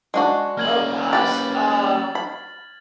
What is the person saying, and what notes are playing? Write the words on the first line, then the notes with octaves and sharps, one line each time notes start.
Oh gosh. Um.
G#3 D4 F#4
A#3 C#4 F6 G#6 F#7
G4 B4 A6
B5